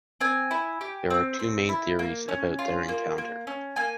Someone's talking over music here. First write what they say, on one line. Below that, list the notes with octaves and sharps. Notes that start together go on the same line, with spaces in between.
There are two main theories about their encounter.
C4 G#5
E4
G4
C4
C4
E4
A#3
C#4
F4
A#3
A#3
C#4
A#3 G#5